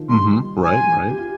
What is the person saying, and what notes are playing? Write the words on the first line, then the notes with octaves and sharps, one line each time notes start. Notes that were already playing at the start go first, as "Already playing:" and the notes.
Mhm, right, right.
Already playing: D#3 F3
G3 C6
G#5
G4
F4